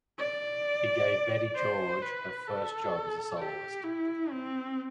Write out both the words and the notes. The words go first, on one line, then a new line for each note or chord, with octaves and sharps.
He gave Betty George her first job as a soloist.
D5
C5
B4
A4
G4
E4
C4